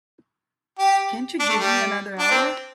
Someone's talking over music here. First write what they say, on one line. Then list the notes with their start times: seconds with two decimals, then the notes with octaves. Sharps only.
Can't you give me another hour?
0.79 G4
1.40 D4
1.49 A3
1.60 G3
2.19 D4
2.31 C4